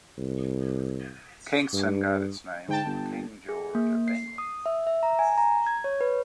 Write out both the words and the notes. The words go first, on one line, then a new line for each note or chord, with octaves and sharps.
Kingston got its name from King George of England.
C2
G2
G#2 D3 G5 A5
G1
G#4
A#3
C7
D#6
E5
E5
A#5
G#5
A#5
G#6
C#5
B4